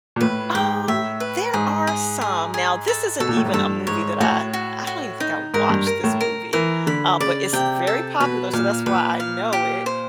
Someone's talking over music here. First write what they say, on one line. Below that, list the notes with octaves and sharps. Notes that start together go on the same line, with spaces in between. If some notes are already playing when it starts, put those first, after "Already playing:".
Um, there are some. Now this isn't even a movie that, uh I don't even think I watched this movie, uh, but it's a very popular, so that's why I know it,
A#2
A2 B4
G#2 G5
A2 E5
B4
G#2 G#4
G#4
G#4
G#4
A4
B2 A4
A#2
A2
G#2
G2 A4
G#2 C#5
A2 F#4
F#4
F#4
D#4
G#2 A#4
G2
A#4
A2
A#4
E3 A#4
D3 B5
C#3 D5
C3 G5
A4
B2 B4
A#2 F5
A#2 B4
F5
G4
C5